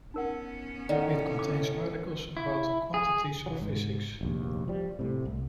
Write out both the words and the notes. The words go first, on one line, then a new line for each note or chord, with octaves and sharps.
It contains articles about the quantities of physics.
B3 C#4 D#4 A#4 F#5
A2 D#3 D5 F#5
D6
E4
G#4
E3 F#3
G#2
F1 A#1 D#2
F3 G3
A2 C3
C2